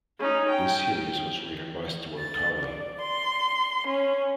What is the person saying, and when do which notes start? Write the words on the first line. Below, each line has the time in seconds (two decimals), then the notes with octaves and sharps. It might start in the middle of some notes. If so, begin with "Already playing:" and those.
This series was written by Stewart Cowley.
0.19 C#4 D#4
0.49 G5
2.19 A6
2.60 D5
3.01 C6
3.87 C#4